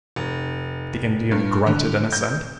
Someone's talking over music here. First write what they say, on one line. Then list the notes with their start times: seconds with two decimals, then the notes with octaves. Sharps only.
The Indian grunted an assent.
0.16 F1
1.31 G2
1.67 D3
2.12 G6